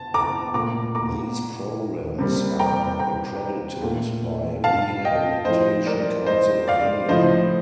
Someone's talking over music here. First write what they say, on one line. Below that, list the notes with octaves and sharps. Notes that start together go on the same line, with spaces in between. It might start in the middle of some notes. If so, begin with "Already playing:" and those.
These programs are accredited by Rehabilitation council of India.
Already playing: A5
A#5 D6
A#2 A3 A#5 D6
A#5 D6
C3 G3 A#3
G5 A#5
G5 A#5
A#2 A3
F5 A5
D#5 G5
A2 F3 A3 C5 D#5
A#4 D5
C5 D#5
D5 F5
A2 F3 A3 C5 D#5